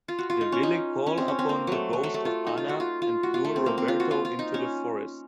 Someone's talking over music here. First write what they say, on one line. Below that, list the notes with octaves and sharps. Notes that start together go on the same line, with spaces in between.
The Villi call upon the ghost of Anna and lure Roberto into the forest.
F4
F#4
F4
D#4
C#4
D#4
C#4
C4
C#4
C4
A#3
F#3 A3
F#3
A3
A3
F4
D#4
F4
F#4
F4
F4
F#4
F4
A3
C4
A#3
C4
F4
F#4
F4
F4
D#4
C#4